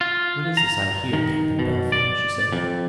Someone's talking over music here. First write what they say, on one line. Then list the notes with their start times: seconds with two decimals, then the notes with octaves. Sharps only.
"What is this I hear, Captain Bellfield?" she said.
0.01 F4
0.57 A#5
1.13 D#3
1.59 B2
1.92 D5
2.52 F2